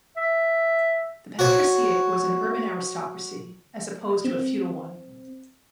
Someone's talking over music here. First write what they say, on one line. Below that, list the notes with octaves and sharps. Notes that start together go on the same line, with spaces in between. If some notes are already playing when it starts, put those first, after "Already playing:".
The patriciate was an urban aristocracy, as opposed to a feudal one.
E5
F#4 C#5
C4